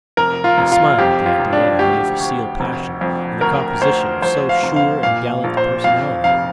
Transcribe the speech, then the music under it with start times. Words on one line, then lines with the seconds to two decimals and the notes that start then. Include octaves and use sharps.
He smiled at the idea of any facile passion in the composition of so sure and gallant a personality.
0.17 F1 A#4
0.44 F4
0.58 F1
0.72 F4
0.99 F2 G4
1.26 F4
1.40 F1
1.53 D4
1.79 D2 G4
2.20 D2
2.60 F1
3.01 F2
3.41 D2 A#4
3.81 D2 C5
4.22 F3 C5
4.49 F5
4.63 F1
4.76 F5
5.03 A#2 F5
5.44 A#1
5.57 C5
5.84 F2 F5
6.24 F1 F5